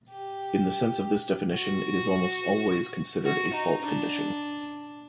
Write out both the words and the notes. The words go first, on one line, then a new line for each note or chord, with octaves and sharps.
In the sense of this definition, it is almost always considered a fault condition.
G4
F#4
F#4
D#4
D4